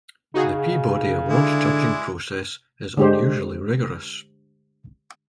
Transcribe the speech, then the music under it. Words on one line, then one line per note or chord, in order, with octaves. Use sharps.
The Peabody Awards judging process is unusually rigorous.
C#3 D#4 F#4 G#4
D3 G#3 E4 D5
D3 G#3 G4 C5